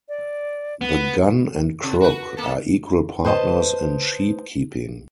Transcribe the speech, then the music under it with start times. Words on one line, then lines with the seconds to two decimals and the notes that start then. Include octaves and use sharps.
The gun and crook are equal partners in sheep keeping.
0.09 D5
0.81 B3
1.83 C3
2.01 F#4 B4
2.37 A#3 A4
3.24 B4 C5 D#5 F#5 A5